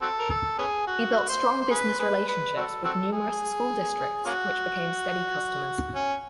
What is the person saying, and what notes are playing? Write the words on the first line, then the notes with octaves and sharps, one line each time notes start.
He built strong business relationships with numerous school districts, which became steady customers.
C4 F#4 A4
A#4
A4
B3 C#4 G#4
F#4
C5
C5
G#4 B4
G#4 B4
B4
C4 F#4 A4
C4 F#4 A4
G#4
A#3 C#4 F#4
C#4